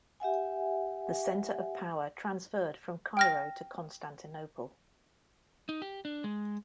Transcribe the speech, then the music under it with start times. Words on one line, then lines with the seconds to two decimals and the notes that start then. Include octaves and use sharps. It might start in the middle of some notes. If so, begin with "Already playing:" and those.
The centre of power transferred from Cairo to Constantinople.
0.20 G4 E5 F#5 G#5
3.17 G5 F6 A#6
5.69 D#4
5.82 G4
6.05 D4
6.24 G#3